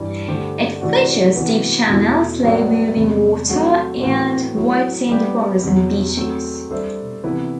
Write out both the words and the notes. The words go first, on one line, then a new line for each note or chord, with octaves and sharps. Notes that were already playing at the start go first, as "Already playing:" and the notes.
It features deep channels, slow moving water, and white sandy bars and beaches.
Already playing: G2 E3 G3
D3 A3 D4 G4 C5
C3 E3 A3 D4 F#4
C3 E3 B3 F#4 B4
E2 B2 A3 E4
A2 F#3 B3 D4 A4
E2 C3 G3
F#3 A3 C4 F#4
A2 E3 B3 F#4 C5
F#3 A3 E4
G3 B3 D4 G4
E2 B2 F#3
F#3 A3 C4
G3 D4 A4 C5 E5
C3 E3 B3 E4 B4